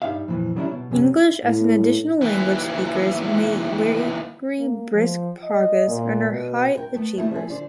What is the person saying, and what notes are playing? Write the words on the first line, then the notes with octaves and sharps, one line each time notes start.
English as an additional language speakers make very brisk progress and are high achievers.
G2 G3 D#4 E5 F5
F2 A#2 E3
D#3 F#3 G3 C#4 D4 E4
B2
F#2 C3 C#4
A2
D#2 E3
A#3
F3
D#5
A#2
B2
A#4 G5
A3 B3
D#3 G3 A3 A#3 E4
F3 G3 E4 G#4
D3 C5 D5